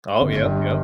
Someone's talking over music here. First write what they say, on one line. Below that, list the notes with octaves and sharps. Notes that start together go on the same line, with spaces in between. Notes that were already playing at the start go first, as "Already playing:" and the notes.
Oh, yep, yep.
G1
G2